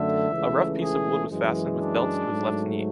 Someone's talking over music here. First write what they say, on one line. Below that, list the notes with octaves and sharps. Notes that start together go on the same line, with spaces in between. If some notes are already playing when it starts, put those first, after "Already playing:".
A rough piece of wood was fastened with belts to his left knee.
Already playing: F#2 D3 A3 E5
C#2 C#3 E3 A3
G#4
F#2 E3 G#3
D4
G#2 F#3 A3